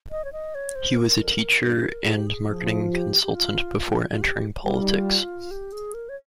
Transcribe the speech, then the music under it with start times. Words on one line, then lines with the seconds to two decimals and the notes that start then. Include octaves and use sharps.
He was a teacher and marketing consultant before entering politics.
0.11 D#5
0.25 C#5
0.32 D#5
0.55 C#5
0.75 C5
0.98 A#4
1.19 F2
1.62 G2
2.05 G#2 G#4
2.16 G4
2.27 G#4
2.48 F3
2.83 F4
2.92 G4
3.23 G4
3.35 F4
3.78 F4
4.11 F4
4.22 G4
4.64 G3 G4
4.73 F4
4.82 D#4
4.91 F4
5.51 G4
5.72 G#4
5.94 A#4
6.09 C#5